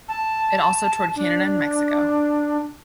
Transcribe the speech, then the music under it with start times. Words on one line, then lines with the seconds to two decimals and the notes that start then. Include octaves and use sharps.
It also toured Canada and Mexico.
0.08 A5
1.16 D4